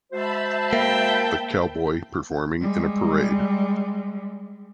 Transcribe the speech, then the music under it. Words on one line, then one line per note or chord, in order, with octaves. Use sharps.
A cowboy performing in a parade.
G#3 F#4 C5 E5 A5 B5
A#3 G5
G3 G#3